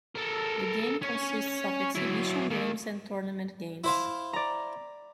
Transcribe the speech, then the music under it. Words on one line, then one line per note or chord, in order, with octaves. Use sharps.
The game consists of exhibition games and tournament games.
A4 A#4
C#4 C#5
F#3 E4
D#3 A#3
E4 C5 F5
D5 A#5